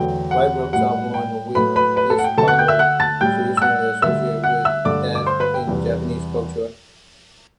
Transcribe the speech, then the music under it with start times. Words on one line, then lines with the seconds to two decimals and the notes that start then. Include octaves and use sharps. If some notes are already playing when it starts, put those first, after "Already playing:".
White robes are worn, with this colour traditionally associated with death in Japanese culture.
Already playing: E2 D3 F#3 A3 G5
0.31 F#5
0.73 A2 G3 F#5
1.14 G5
1.55 A2 F#3 A3 B4 B5
1.76 B4 B5
1.96 B4 B5
2.10 A4 A5
2.19 F#5
2.24 G5
2.37 D2 D3 A3 A4 A5
2.48 F#5 F#6
2.59 G5 G6
2.68 E5 E6
2.79 F#5 F#6
3.00 A5 A6
3.21 A2 G3 G5 G6
3.57 E6
3.62 F#5 F#6
4.02 D2 D3 G3 E5 E6
4.44 F#5 F#6
4.65 E5 E6
4.85 G2 D3 A3 D5 D6
5.15 D6
5.26 C5 C6
5.40 B4 B5
5.54 G5
5.67 E2 C3 E3 G3